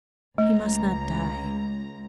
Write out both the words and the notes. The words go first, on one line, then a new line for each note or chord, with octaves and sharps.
He must not die.
C#2 A3 A#5